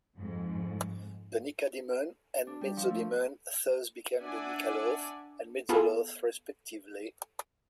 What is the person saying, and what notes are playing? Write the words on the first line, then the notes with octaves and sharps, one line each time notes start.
The Nycadaemon and Mezzodaemon thus became the Nycaloth and Mezzoloth respectively.
F2 G#2
D4
G3
F3
A3
D4 D5 E5 F#5 G#5
B3 F4 G#4 A4